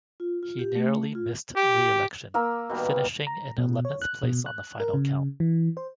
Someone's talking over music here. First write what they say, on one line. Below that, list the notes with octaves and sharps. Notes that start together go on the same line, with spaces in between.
He narrowly missed re-election, finishing in eleventh place on the final count.
F4
F4
G4
A3
F4
G4
A#3 A#4 E6
B2 D#3 G3
A#5
B2
C#5
F#6
B2
F#6
A#4
C#3
E3
C5